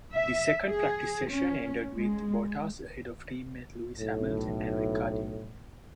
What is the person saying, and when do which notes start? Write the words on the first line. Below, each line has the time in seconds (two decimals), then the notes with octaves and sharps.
The second practice session ended with Bottas ahead of teammate Lewis Hamilton and Ricciardo.
0.12 E5
0.66 G#4
1.29 C#4
1.92 G#3
3.97 B1 A2